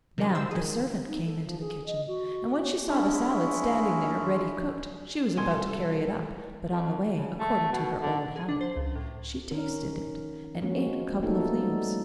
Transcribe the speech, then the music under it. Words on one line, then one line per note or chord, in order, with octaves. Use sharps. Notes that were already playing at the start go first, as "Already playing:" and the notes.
Now the servant came into the kitchen, and when she saw the salad standing there ready cooked she was about to carry it up, but on the way, according to her old habit, she tasted it and ate a couple of leaves.
C3 D#3 F#3 D4
C5 E6
D#3 G#4
D#4
A4
F3
G#4
D#5
F#4
C#5
G#3 C#4 D4 E4
C2 B2 G3 A4 G#5 C6 G#6
F2
C#3
A3
B2
D3
G#4
D4
C5
C#2
A2
D#3 C#4 A#4
F3 G#3 A#3 C#4 F#4
A3 A#3 D#4 F#4 A4
G3 B3 F4